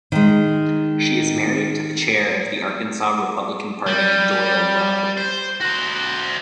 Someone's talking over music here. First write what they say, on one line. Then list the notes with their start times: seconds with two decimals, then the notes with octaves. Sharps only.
She is married to the Chair of the Arkansas Republican Party Doyle Webb.
0.12 D#3 G#3
3.86 G3
5.17 C5
5.60 F#4 C5